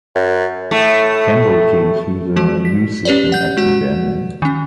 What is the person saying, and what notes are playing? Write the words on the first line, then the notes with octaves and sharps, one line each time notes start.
Campbell came through the youth system at Hibernian.
F#2
A2 A3
E3 G#3 F#4
B6
C#4 G4 B4 C#5 D5
F#5 G6
G#3 F#4 F#5
D#3 C#4